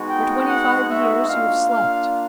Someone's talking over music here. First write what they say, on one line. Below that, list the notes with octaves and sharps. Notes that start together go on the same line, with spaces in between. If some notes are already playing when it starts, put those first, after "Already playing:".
For twenty-five years you have slept.
Already playing: G#3 B3 D#4 F#4
G5
F#5
E5
A#3 D4 F4 F5
F5